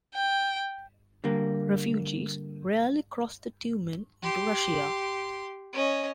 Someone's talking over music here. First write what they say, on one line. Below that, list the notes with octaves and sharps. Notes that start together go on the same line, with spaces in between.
Refugees rarely cross the Tumen into Russia.
G5
D3 G3 A#3
G4 C6
C#4 D#5